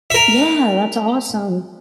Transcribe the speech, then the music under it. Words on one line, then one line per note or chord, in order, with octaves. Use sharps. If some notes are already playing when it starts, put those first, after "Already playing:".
Yeah, that's awesome.
A#4 E5